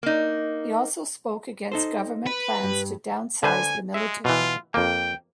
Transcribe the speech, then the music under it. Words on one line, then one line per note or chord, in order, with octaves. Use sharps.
He also spoke against government plans to downsize the military.
A#3 D#4
D#4 A4 C5
B4
G2
D3 B4 C5 G#5
G#3 E5
B2 E3 F4
F2 A#3 G5